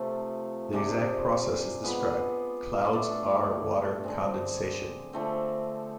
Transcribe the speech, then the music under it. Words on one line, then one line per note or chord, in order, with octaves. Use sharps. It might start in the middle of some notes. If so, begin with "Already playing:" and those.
The exact process is described: Clouds are water condensation.
Already playing: C3 F3 A3
C3 G#3 D4 F4
G#3 B3 F4 B4
A3 D4 A4
D3 G#3 C4
D3 F3 A3 C4